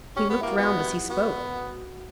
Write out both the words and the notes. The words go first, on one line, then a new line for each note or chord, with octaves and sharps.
He looked round as he spoke.
C#4 G4
B3
A#3 E4
F#4
B3
F#4
B3 F#4